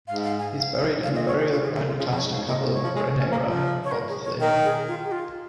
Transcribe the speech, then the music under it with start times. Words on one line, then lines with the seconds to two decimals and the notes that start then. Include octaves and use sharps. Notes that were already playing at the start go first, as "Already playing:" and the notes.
He is buried in the burial ground attached to Capel Brynaerau, Pontllyfni.
0.08 G#2 F5
0.24 F5
0.39 G#5
0.56 F5
1.03 A#2 F5
1.15 D#5
1.27 C#5
1.40 G#4
1.52 F4
1.63 G#4
1.76 G#4
1.87 F4
1.99 C#3 F4
2.12 F2
2.16 C#5
2.24 G#2
2.31 F5
2.35 G#2
2.48 A#2 D#5
2.60 C#3
2.66 A#2
2.71 G#2 C#5
2.84 F3
2.96 G#3
3.20 C#4
3.32 A#3
3.44 F3
3.84 C#5
3.92 A#4
4.09 G#4
4.24 C#5
4.39 D#3 A#4
4.64 G#4
4.88 F4
5.04 G#4
5.11 F4